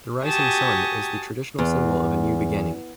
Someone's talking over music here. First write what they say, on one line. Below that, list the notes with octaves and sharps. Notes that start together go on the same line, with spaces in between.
The rising sun is the traditional symbol of a new beginning.
F#4 G4 G#5 A5 C#6 D#6
E2